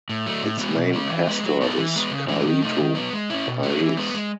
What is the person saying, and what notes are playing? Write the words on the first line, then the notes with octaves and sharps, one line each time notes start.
Its main pastor is Carlito Paes.
A2
F#3 A3
A2
G#3 B3 F#4
B2
G#3 C#4
E3
G#3 B3
F#3
B3 D#4 A4
E3
G#3 B3
C#3
E3 G#3 C#4
D#3
A3 D#4
D#3
F#3 B3
G#3
C#4 E4
B2
A3 C#4 F#4
E3
G#3 B3
G#3